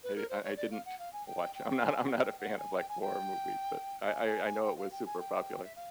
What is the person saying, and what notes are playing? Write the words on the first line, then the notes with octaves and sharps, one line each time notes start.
Maybe I I didn't watch I'm not I'm not a fan of, like, horror movies, but I I I know it was super popular.
B4
A#4
C5
C#5
D5
F5
F#5
F5
G#5
G5
G5
G#5
F#5
G5
F#5
G#5
G5
G#5
G5
G#5
G#5
G#5
G5
F5
G5
G#5
G5
E5
F5